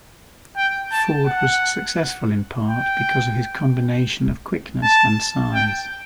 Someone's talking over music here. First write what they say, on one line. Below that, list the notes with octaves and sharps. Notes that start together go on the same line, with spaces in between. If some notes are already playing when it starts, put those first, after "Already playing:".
Ford was successful in part because of his combination of quickness and size.
G5
A5
F#5
G5
A5
G5